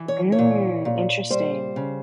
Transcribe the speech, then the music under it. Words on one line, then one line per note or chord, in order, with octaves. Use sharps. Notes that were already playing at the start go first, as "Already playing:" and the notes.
Mm, interesting.
Already playing: E3
C#5
C#5
A#2
A#2
G3 C5
C#3